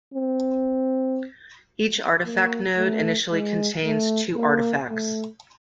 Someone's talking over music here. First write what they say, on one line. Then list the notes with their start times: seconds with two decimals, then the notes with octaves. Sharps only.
Each Artifact Node initially contains two Artifacts.
0.14 C4
2.26 A#3
2.78 A3
3.31 G#3
3.85 A3
4.36 A#3
4.90 A3